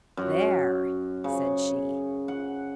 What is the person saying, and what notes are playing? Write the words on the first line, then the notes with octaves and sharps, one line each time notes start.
"There!" said she.
F#2
C#3
F#5